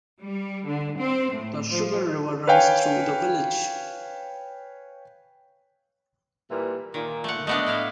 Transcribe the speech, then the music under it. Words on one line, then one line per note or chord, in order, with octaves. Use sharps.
The Sugar River runs through the village.
G3
D3
C4
A2
F3
B4 C#5 F5 G5 G#5
A#2 E3 G3
A#2 D#3
A3 F#5
A3 B3 D4 D#5
A2 E4 F5